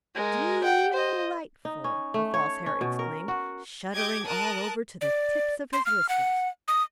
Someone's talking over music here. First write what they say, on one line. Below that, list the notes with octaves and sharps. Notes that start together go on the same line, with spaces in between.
"Dee-lightful!" the False Hare exclaimed, shuddering all over to the tips of his whiskers.
G#3 A#4
F#5 G5
C5 D#5
D#4
C#4
A3
C#5
C#4
B2
A#4
F#4
G4 D#5 D6 G6 G#6
A#4 A5 D#6 F#6
D5
C6
F6
F#5
D#6